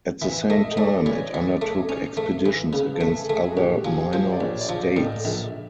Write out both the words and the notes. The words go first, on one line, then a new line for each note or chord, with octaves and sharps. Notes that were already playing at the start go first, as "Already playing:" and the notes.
At the same time, it undertook expeditions against other minor states.
E3 E5
A3 D#5
A3 D5
E3 C#5
E3
A3
C#4 C5
A3
E3
C#3 B4
A4
A3
G#4
A3
G#4
F#4
A#1 G4
F3 G#4
F3 C5
D5
A#1 C#5
D5
F3
D#5
A2
A#1 E5